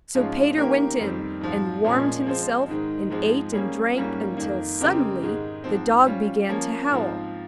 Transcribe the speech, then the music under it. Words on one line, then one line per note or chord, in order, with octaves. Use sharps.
So Peter went in and warmed himself and ate and drank, till suddenly the dog began to howl.
G#2 F3 G#3 C#4 F4
D#3 A#3 C#4 G4 A#4
F2 D#3 G3 C4
G#2 F3 C4 F4
A#2 F3 G#3 C#4 G#4
F3 G#3 C4 F4 C5
G#2 D#3 G#3
G#2 F3 G#3 C4
G3 A#3 C#4 G#4
G#2 G3 A#3 C#4 F4
F2 D#3 A#3
C#3 G#3 C4 G4 A#4
G#2 D#3 G#3
G#2 F3 C4
G3 C#4 F4
F3 A#3 C#4
G#2 F3 C4 F4